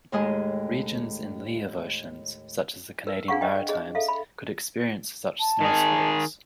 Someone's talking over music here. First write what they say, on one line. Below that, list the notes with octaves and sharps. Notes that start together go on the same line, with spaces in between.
Regions in lee of oceans, such as the Canadian Maritimes could experience such snowsqualls.
D#2 A2 G#3 G#4 D#5
A#4 B4 E6
D4 G#4 F5 F#5 C#6
B4 D#5 G5
G#4 D#5
A4 E5 F5
B5
A5
D#3 G#4